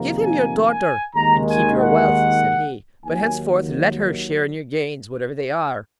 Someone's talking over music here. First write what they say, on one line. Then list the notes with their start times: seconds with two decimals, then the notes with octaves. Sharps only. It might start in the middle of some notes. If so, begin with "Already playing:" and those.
'Give him your daughter and keep your wealth,' said he; 'but, henceforward, let her share in your gains, whatever they are.'
Already playing: F2 C3 D#3 A#3
0.21 G#5
0.69 G#5
1.16 D#2 D#3 G#3 A#5
1.48 G#5
1.79 F#5
3.04 D#2 D#3 F#3 G#5